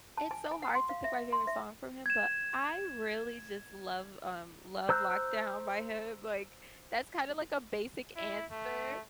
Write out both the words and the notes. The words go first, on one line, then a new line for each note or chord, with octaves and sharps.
it's so hard to pick my favorite song from him, but I really just love, um, Love Lockdown by him, like that's kind of like a basic answer.
A5
G#5
G#5
F#5
C6
F5
E5
C6
E5
G#6 E7
C5 A#5 E6 F#6 G6
E4
A3